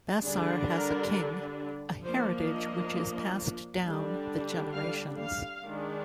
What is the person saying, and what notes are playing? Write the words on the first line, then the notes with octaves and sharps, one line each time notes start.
Bassar has a King, a heritage which is passed down the generations.
D3 G3 D4 G#4
A#4
F3 A#3 D4 C5
D#5
D3 G3 D4
F5
F5
D#3 G#3 D4